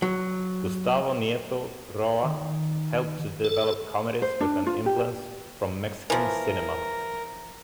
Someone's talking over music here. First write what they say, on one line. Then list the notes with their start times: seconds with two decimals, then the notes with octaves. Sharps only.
Gustavo Nieto Roa helped to develop comedies with an influence from Mexican cinema.
0.02 F#3
2.23 D#3
3.45 A4
4.22 C5
4.41 D4
4.67 F4
4.86 G4
6.10 E3 F3 A#4